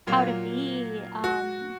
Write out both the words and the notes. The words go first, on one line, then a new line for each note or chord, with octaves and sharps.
how to be, um,
A#2 F#3 A#3 F4
F#4